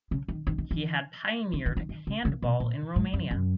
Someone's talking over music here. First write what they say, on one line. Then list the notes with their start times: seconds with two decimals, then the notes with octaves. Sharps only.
He had pioneered handball in Romania.
0.11 C#3
0.28 D#3
0.47 D#3
0.58 D#3
0.71 E3
1.53 D#3
1.66 D#3
1.77 D#3
1.89 D#3
2.07 C#3
2.25 C#3
2.42 B2
2.60 A#2
2.96 G#2
3.13 F#2
3.31 F#2